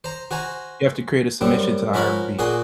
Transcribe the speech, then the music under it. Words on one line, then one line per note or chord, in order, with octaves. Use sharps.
you have to create a submission to the IRB.
C5 A#5
F#4 C5 G#5 A#5
F#2 G3 C4
F3 C#4 F#4 A#4 B5
A#2 F#4 G#4 G#5 C6